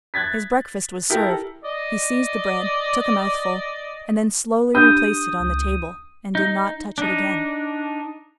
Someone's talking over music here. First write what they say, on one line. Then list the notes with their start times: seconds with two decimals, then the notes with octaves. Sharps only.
His breakfast was served; he seized the bread, took a mouthful, and then slowly replaced it on the table, and did not touch it again.
0.14 F#6 G#6 A6 B6
1.10 E4 G4 A4 A#4
1.64 D5 D#5
4.75 D4 G4 D#6 G6
5.40 C#2
6.35 D#4
6.98 D4 D#4